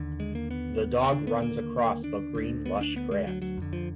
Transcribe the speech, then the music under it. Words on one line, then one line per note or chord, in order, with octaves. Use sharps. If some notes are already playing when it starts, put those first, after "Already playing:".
The dog runs across the green lush grass.
Already playing: D#2 D3
G#3
A#3
B3
D#2 D3 D4
B3
A#3
D4
D2 D3
B3
D4
B3
G#3
F#3
F#3
F2 D3
F3